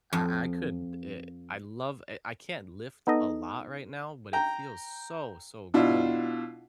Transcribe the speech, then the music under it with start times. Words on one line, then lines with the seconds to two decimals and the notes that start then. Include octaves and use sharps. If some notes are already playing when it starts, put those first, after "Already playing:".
I I could, eh I love, eh I can't lift a lot right now, but it feels so, so good.
0.13 F2
3.07 B3 D#4 A4 D#5
4.33 G5 A#5
5.74 B2 D4 E4 F4